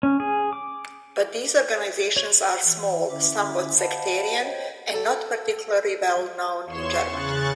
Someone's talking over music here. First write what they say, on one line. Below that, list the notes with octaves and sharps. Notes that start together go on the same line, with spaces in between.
But these organizations are small, somewhat sectarian, and not particularly well known in Germany.
C#4
G#4
D6
C#5
E3
D3 C#4 E4 E5 D6
C5 D#5 F5 F#5 A5 B5
C5 C#5 D#5 G5
A4
E2 C#5 C6 C#6 E7
C#3 C#6 F#6 A6